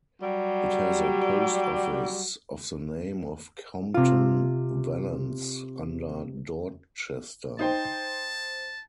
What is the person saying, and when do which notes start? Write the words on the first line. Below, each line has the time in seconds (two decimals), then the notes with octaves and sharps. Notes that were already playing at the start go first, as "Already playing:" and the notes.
It has a post office, of the name of Compton-Vallence, under Dorchester.
0.22 F#3 G3
3.94 C3 F4
7.59 D#4 C5 G5 A5